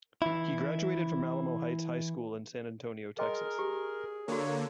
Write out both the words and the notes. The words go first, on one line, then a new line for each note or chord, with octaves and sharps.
He graduated from Alamo Heights High School in San Antonio, Texas.
E3 E4
G#4 A#4 D#5 G5 C6
G4
D3 A#3 D4 F#4 C#5